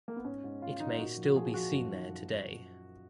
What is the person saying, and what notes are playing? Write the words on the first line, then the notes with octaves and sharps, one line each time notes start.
It may still be seen there today.
A#3
B3
G#2 C#4
G#2
G#2 F4
D#3 D#4
F4
A#2 F#4
F3
F#4
F3 G#4
F3 F#4
F#2
D#3
F#2